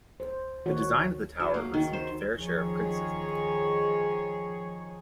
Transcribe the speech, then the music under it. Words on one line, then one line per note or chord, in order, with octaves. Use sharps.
The design of the tower received a fair share of criticism.
C5
D#3 F#4 C#5
F#3
A#3
D#3
C5
D#3 F3 G#4 C#5